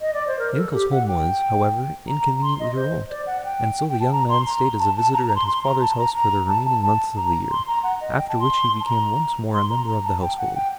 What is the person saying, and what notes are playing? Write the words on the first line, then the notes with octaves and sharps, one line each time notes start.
The uncle's home was, however, inconveniently remote, and so the young man stayed as a visitor at his father's house for the remaining months of the year, after which he became once more a member of the household.
D#5
D5
C5
A#4
A4
G4
F#5
G5
A#5
C6
D#5
C5
D5
F#5
G5
G5
G5
A5
A#5
C6
A#5
A5
A5
A#5
A#5
C6
C6
A#5
A5
A#5
A#5
A5
A5
A5
A#5
C6
A#5
F#5
D#5
G5
A5
C6
A5
A#5
C6
A#5
A#5
A5
G5
F#5
G5